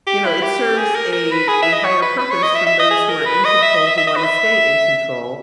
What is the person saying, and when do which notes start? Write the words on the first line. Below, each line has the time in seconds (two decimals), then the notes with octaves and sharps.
you know, it serves a a higher purpose from those who are in control who wanna stay in control,
0.07 G4
0.25 E4
0.43 G4
0.78 G#4
0.95 A#4
1.13 A#4
1.31 B4
1.48 G#4
1.63 E5
1.73 D#5
1.84 C#5
2.02 B4
2.19 B4
2.31 C#5
2.43 D#5
2.55 E5
2.67 E5
2.80 D#5
2.91 G#4
3.09 A#4
3.26 B4
3.45 D#5
3.62 E5
3.74 D#5
3.86 E5
3.98 E5
4.07 D#5
4.16 B4
4.24 E5